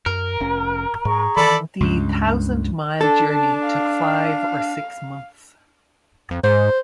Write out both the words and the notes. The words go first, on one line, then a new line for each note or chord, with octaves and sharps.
The thousand mile journey took five or six months.
F#2 A#4
F1 C#4
G#2 G#4 A#5 C#6
D#3 E3 A4 D5 B5
C#2 G2 C#3
D4 A4 A5
F5
F2
G#2 C5